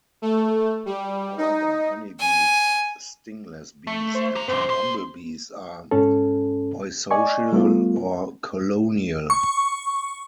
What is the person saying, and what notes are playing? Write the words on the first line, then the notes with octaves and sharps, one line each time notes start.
However, honey bees, stingless bees, and bumblebees are eusocial or colonial.
A3
G3
D#4
G#5
A3
C5
G4 A#5
F#2 A#2 C5
G4 C6
G#2 C#4 A4
D5 D#5 G#5 C#6
G3 A3 B3 F4
C#6